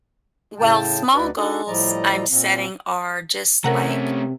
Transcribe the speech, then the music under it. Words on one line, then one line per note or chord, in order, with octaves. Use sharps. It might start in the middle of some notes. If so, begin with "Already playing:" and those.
Well, small goals I'm setting are just, like,
A2 C#3 G5 A5
D2 D#4 F#4 B4 D5
D4 D#4 F#4 A4
A2 F3 G3 D5 D#5 A#5
A#2 C4
C3 A3 C#4 A#4 F#5 A#5